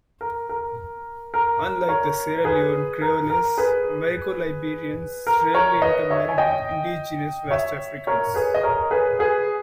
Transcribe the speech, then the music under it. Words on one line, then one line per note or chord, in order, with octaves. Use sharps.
Unlike the Sierra Leone Creoles, Americo-Liberians rarely intermarried with indigenous West Africans.
A#4
A#4
A#4
A#4 C#5
G#4 B4
A#4
A#4
G#4 B4
A#4
A#4 C#5
B4 D#5
C#5 E5
G#5
D#5 G5
C#5 E5
A#4 C#5
G#4 B4
D#5
A#4 C#5
G#4 B4
G#4 B4